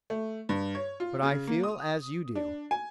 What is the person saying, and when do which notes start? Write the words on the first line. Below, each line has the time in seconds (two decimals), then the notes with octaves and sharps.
But I feel as you do.
0.10 A3
0.49 G2
0.75 C#5
1.00 F4
1.23 C#3
1.47 A#3
1.63 D#6
2.35 D4
2.71 G#5